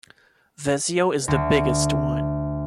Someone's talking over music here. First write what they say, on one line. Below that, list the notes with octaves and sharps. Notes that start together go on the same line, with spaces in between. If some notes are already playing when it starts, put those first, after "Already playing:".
Vesio is the biggest one.
D2